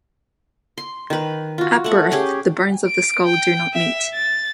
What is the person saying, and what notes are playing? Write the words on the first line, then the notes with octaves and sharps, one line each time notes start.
At birth, the bones of the skull do not meet.
C6
D#3 B4
F4 F#4
A3 F#5 C#6
C#4 G4 G#4
D7
G5
E5
A6